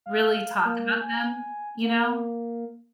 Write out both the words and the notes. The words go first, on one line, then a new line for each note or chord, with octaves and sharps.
really talk about them, you know?
F5
A#3
G#5
A#3